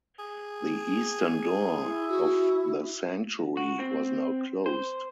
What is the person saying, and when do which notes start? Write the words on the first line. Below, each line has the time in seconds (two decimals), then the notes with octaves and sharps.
The eastern door of the sanctuary was now closed.
0.19 G#4
1.86 E4
2.09 F#4
3.57 F#4
3.79 C4
4.66 C5